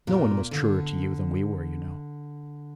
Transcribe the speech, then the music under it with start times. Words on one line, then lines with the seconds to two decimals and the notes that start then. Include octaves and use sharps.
No one was truer to you than we were, you know.
0.07 A#2
0.51 D3